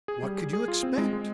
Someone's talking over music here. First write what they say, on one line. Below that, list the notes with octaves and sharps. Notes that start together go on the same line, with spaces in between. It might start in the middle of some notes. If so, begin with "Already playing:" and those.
What could you expect?
G#4
G3
G#4
G#4
F4
C4
G#3
G#3